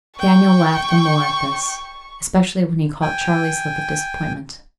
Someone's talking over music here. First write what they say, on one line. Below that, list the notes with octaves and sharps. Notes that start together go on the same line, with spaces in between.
Daniel laughed the more at this, especially when he caught Charley's look of disappointment.
G5 C#6
G5 G#5